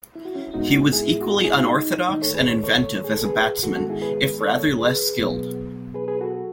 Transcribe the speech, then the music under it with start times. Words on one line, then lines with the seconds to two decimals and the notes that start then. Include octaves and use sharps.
He was equally unorthodox and inventive as a batsman, if rather less skilled.
0.16 E4
0.25 F#4
0.35 C#4 E4
0.54 A2 G#3 B3 D#4 F#4
0.93 E4 G#4
1.21 F#4
1.31 E4 G#4
1.44 E4 G#4
1.57 D#4 F#4
1.70 D#4
2.09 G#2 D#3 A3 D#4
2.22 A4 C#5
2.34 G#4 B4
2.48 C#5
2.63 A4 C#5
3.04 G#4
3.14 A4
3.24 G#4 B4
3.63 G#2 D#3 G#3 B3 F#4 A4
3.76 F#4 A4
3.89 E4 G#4
4.02 G#4 B4
4.40 A4 C#5
4.79 G#4 B4
5.17 B2 F#3 B3
5.94 G#4 B4
6.08 G#4 B4
6.21 F#4 A4